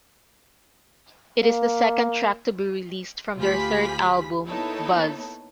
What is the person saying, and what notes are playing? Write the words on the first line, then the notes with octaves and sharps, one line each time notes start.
It is the second track to be released from their third album "Buzz".
A#3
D2 F4 G4 G#4 B5 B6
A#3 B3 D#4 E4 A4 C#5